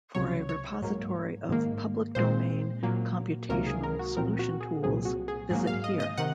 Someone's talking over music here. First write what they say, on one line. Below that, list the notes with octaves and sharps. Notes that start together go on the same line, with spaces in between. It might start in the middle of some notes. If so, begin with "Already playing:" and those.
For a repository of public-domain computational solution tools, visit here.
C#2 C3 F#3 C#5
C#5
G#2 F#3 A#3
G#2 D#3 A#3
A#2 G#3 C4 C5
A#2 F#3 A#3
C#2 C3 D#3 F#3 A#3 A#4
G#4
A#4
F#4
A#2 F3 C4 A#4
F#4
G#4
C2 A#2 F#3 C4 G#4
F#4
G#4
G#2 F#3 A#3 G#4
F5
D#5
D#5
C3 D#3 F#5